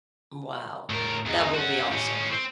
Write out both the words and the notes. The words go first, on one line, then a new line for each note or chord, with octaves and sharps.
Wow. That will be awesome.
A2 A#4
E2 D#4
C#4 F#4
A2 C#4
C4